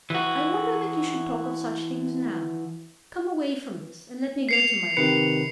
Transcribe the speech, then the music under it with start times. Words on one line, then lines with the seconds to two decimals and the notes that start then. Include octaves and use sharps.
I wonder that you should talk of such things now. Come away from this, and let me go to my room.
0.10 E3 F#4
4.49 C7 C#7 F7
4.97 C3 D#3 B4 C#7